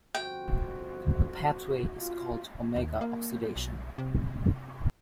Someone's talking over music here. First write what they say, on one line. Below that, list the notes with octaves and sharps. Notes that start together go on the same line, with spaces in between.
The pathway is called omega oxidation.
G1 F2 F#4 C5 G5
F4
D#2
A#3
B1
C3